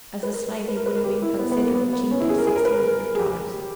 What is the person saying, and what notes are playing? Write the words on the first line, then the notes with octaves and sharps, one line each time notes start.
As a slave, he would have been considered cheap at sixteen hundred dollars.
B4
A#4
B4
A#4
B4
A#4
G4
E4
B3
B3
A#3
B3
B3
C#4
E4
G#4
A#4
G#4
A#4
B4
A#4
G#4
G4